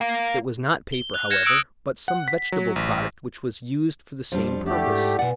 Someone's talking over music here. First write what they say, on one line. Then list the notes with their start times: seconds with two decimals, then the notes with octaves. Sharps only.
It was not paper, however, but some vegetable product which was used for the same purpose.
0.01 A#3
0.92 G7
1.14 F#6 F7
1.30 F6 G6 G#6 A#6 C#7 E7
1.45 D#6 E6 F#6 C#7 D7
2.08 F#5
2.28 B6
2.52 F#3
2.76 A1
4.32 F2 F3 G3 D4
4.66 A3 D4 E4 G4 D5 F#5
4.87 G#2
5.19 B2 B4 D5 F#5 G#5